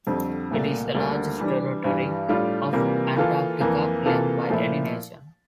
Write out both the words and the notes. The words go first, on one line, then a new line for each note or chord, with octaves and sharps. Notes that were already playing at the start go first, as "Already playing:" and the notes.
It is the largest territory of Antarctica claimed by any nation.
F2 D3 G3 C4
C2 A#2 A3
D2 D3 G3 A#3
E3 G3 D4
G2 E3 G3
A2 G3 D4 F4 A4
C3 E3 G3 A#3 F4
E3 A#3 F4 A4
F2 E3 A#3
C3 E3 A#3 F4 A4
A#2 F3 A3 E4